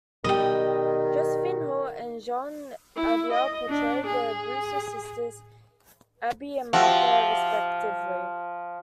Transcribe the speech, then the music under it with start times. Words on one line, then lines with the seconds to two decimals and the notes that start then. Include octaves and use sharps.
Josephine Hull and Jean Adair portray the Brewster sisters, Abby and Martha, respectively.
0.24 B2 D#3 G3 D#5 G5
2.96 E4
3.32 D#5
3.68 D4
4.07 G#4
6.73 F3 F#4 G4 E5